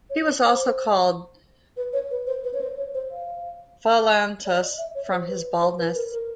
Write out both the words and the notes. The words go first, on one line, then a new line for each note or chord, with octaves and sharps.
He was also called "Phalanthus", from his baldness.
C#5
C#5
C5
B4
C#5
B4
C5
B4
C#5
C5
C#5
C5
F5
D5
D#5
E5
C#5
C5
B4
C5
B4
A#4
A#4